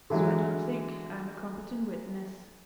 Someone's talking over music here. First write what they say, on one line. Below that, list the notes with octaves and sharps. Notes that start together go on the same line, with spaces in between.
So I don't think I'm a competent witness.
D3 E3 F#3 G#3